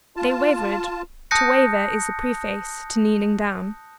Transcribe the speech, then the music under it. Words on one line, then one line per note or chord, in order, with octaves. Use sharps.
They wavered--to waver is the preface to kneeling down.
F4 A5
A5 D#6 F#6 G6 A#6 C#7